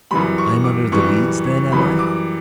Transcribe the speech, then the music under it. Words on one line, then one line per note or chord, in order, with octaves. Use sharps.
"I am under the Leads, then, am I?"
F#2 E3 G3 B5
C#6
D6
F#2 E3 G3 C#6
F#2 E3 G3 B5
D6